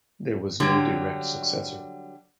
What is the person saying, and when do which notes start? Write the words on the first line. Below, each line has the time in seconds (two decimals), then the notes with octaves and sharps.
There was no direct successor.
0.60 D3 F#3 G3